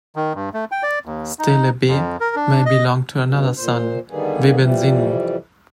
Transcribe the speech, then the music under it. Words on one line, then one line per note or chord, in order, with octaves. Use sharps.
Stele B may belong to another son, Webensenu.
D#3
G2
A3
G5
D5
D#2
D#4
F2
A#4
D4
D#5
G2 B2
A#2 C5
D3 D#3 G3 A#3 B3 G#4
F2 C3 E3 G3